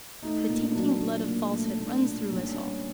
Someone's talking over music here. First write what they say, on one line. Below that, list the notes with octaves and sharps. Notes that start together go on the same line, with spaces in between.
The tainting blood of falsehood runs through us all.
A3 D#4
A#2
F#3 D4
A#2
A#2
A3
A#2 D4
A#2
G3 C#4
D4
C#4
B3